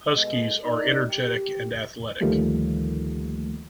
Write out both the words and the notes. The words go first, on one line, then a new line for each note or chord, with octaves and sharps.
Huskies are energetic and athletic.
B2 G#3 A4 D#5
D#4 A#4 D5
G4
D2 D#3 F3 G3 A3 A#3